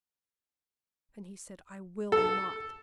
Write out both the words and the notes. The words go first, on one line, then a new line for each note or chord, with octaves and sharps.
And he said, "I will not."
A4